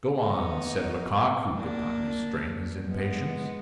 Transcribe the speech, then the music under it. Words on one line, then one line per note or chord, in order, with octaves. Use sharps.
"Go on!" said Lecoq, who could not restrain his impatience.
B3 D#4
A#3 D4
G#3 B3